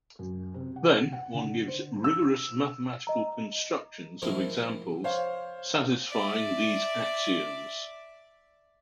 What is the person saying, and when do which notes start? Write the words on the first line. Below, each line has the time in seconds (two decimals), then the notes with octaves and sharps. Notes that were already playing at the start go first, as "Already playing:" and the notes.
Then, one gives rigorous mathematical constructions of examples satisfying these axioms.
0.19 F#2
0.54 C3
0.76 F#5
1.13 F#5
1.34 D3
1.68 C5
2.04 E6
3.07 D#5 A#5
4.22 G#2 C3 F3 E4 A#4
5.04 C5 C#5 F5
6.09 D5 E5